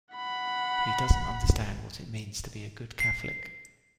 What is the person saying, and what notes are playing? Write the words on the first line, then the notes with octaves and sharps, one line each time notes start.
He doesn't understand what it means to be a good Catholic.
F#5 B5
C7